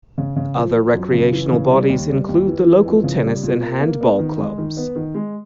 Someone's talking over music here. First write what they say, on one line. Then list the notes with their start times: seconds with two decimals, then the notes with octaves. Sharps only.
Other recreational bodies include the local tennis and handball clubs.
0.18 C#3
0.36 C#3
0.55 F3
0.74 F3
0.94 F#2
1.13 C#3
1.33 E3
1.52 C#3
1.71 G3
1.89 D#2
2.09 G3
2.29 D#2
2.48 E3
2.66 E3
2.85 F2
3.04 C#3
3.23 G3
3.43 A#2
3.62 A#3
3.80 A#3
4.01 B3
4.19 D#3
4.38 G#3
4.58 D#3
4.77 B3
4.95 D#3
5.15 G#3